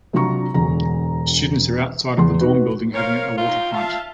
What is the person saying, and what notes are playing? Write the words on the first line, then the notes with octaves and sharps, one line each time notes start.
Students are outside of a dorm building having a water fight.
C3 F#3 D4 F4 A#5 C#6
E1 D2 A#5
E2 C6
D#4 F#4 B4
A#4 C5 C#5 F5
D#4 F4 G5
F4 E5 F5 A5